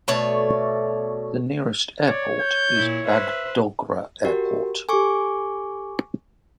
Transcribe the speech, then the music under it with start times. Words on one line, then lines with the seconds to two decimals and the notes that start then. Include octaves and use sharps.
The nearest airport is Bagdogra airport.
0.08 B2 A3 C#5 D5
2.07 C#5 D5
2.39 G6
2.76 A#2 E4
3.07 B4 C5 E5
4.25 F#4 G4 A#4
4.89 G4 A4 G#5 C#6 D6